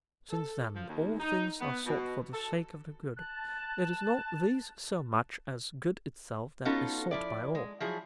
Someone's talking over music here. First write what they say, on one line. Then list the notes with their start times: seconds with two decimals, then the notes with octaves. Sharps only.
Since, then, all things are sought for the sake of the good, it is not these so much as good itself that is sought by all.
0.30 A4
0.74 F3
0.88 D#2
1.20 D#4
1.60 B3
1.85 B2
2.33 A4
3.16 A5 F#6
6.65 B3 C#4 D#4 F4 F#4 A4
7.11 F3 E4 D5
7.55 G#3
7.80 F3 F#3 E4 G#4